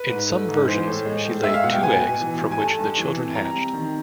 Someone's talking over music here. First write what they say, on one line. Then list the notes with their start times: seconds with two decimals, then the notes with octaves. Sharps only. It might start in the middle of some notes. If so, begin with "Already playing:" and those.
In some versions, she laid two eggs from which the children hatched.
Already playing: B4
0.10 G#2
0.29 A3
0.49 G#2
0.68 E3 C5
0.87 A2
1.06 G#3
1.25 A2
1.44 G#3 E5
1.54 F5
1.63 B2 F#5
1.73 G5
1.83 B3 G#5
2.02 B2
2.21 E3
2.40 G2
2.51 G#5
2.59 A3 A5
2.78 G2
2.97 E3
3.16 C3
3.35 G3 A#5
3.54 C3
3.73 D#3